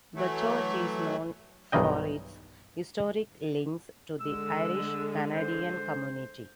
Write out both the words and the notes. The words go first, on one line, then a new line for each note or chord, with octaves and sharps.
The church is known for its historic links to the Irish Canadian community.
E3 F#3 A3
B1 G2 D#3 E3 D#5 G5
D3 G#3 E6
C5